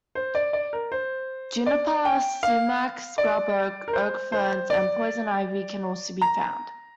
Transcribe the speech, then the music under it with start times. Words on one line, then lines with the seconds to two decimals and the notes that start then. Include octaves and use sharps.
Juniper, sumac, scrub oak, oak ferns and poison ivy can also be found.
0.15 C5
0.35 D5
0.53 D5
0.73 A#4
0.92 C5
1.66 D5
2.05 G5
2.43 F5
3.18 D5
3.88 A#4
3.93 C5
4.32 C5
4.70 D5
6.22 A#5